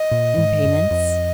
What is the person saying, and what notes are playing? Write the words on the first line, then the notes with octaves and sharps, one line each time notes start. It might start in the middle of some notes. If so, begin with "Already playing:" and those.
"In payments."
Already playing: D#5
A#2
G#2
F#2
F2